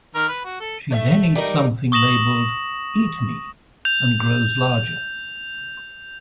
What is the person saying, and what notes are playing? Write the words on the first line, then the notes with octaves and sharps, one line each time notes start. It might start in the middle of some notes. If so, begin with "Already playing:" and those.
She then eats something labeled "Eat me" and grows larger.
D#3 A#4 F6
B4
F#4
A4
A3 C#5 E5
G3 D#4 A#4
C#6 D#6 A#6 E7 F#7
G6 F7